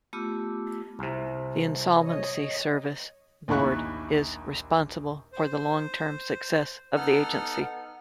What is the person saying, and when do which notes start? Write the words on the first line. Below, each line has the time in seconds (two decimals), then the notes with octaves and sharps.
The Insolvency Service Board is responsible for the long-term success of the agency.
0.13 A3 B3 F4 G4 D6 E6
0.99 C2 C3
2.02 C#5 D#5
3.48 A#1 D#2 E4 B5 C#6 F#6
5.32 C5
6.96 B3 D#4 A4 F#5 F6